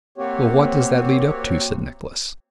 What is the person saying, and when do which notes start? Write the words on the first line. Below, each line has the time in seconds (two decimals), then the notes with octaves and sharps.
"Well, what does that lead up to?" said Nicholas.
0.18 A#3 C4 F#4 G4 C#5